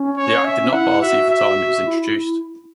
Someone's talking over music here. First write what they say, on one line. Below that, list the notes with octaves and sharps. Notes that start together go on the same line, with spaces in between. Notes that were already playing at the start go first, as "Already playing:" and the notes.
The act did not pass either time it was introduced.
Already playing: C#4
C#5
E5
C#4
E4 F#5
F#4 E5
E5
E4